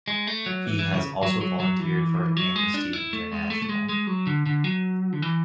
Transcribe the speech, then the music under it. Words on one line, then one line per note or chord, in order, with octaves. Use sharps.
He has also volunteered for Amnesty International.
G#3
A3
F#3
E3
E3
C#3
F#3
F#3
F#3
E3
F#3
G#3
D4
E4
A3
G#3
A3
A3
G#3
G#3
F#3
D3
D3
F#3
D3
E3